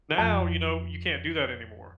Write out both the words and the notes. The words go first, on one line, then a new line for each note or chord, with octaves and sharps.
Now, you know, you can't do that anymore.
F2 F3 F#6